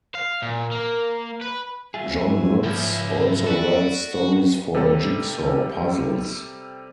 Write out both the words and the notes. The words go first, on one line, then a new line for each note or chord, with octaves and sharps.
John Lutz also writes stories for jigsaw puzzles.
F5
A#2
A#3
B4
G3 F4 F#4 G#4 E5 G#5
C#2 G#2 F3 E4
F#4 A4 B4 D5
C3 G3 A4